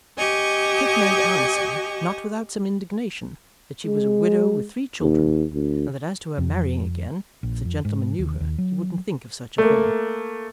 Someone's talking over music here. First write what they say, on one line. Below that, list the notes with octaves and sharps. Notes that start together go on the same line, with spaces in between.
Kit made answer, not without some indignation, that she was a widow with three children, and that as to her marrying again, if the gentleman knew her he wouldn't think of such a thing.
G4 D#5 G#5 C#6
G#3
D#2
D2
F2
A#1
F2
G#2
D#2
D#2
F#3
A3 A#3